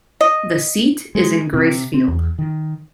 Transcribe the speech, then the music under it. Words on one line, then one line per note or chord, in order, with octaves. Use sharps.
The seat is in Gracefield.
D#5
G#3
C3
C4
E2
D#3